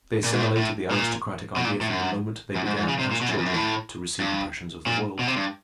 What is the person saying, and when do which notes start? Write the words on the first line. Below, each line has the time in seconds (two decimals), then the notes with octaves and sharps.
They assimilated the aristocratic idea from the moment they began, as children, to receive impressions of the world.
0.24 A#2
0.33 G#2
0.41 A2
0.57 A2
0.91 A#2
1.56 B2
1.64 A#2
1.81 A2
1.89 F#2
2.56 F#2
2.66 G#2
2.77 G#2
2.88 C#3
2.99 C3
3.11 A#2
3.21 B2
3.29 F#2
3.38 F2
3.46 F#2
3.54 A2
4.20 G2
4.86 A#2
5.19 B2
5.27 C3
5.36 G2